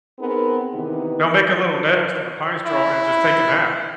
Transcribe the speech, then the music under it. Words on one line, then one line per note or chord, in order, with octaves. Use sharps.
They'll make a little nest in the pine straw and just take a nap.
B3 C4 D#4 G#4 A#4
C3 D#3 E3 B3 D#4
E4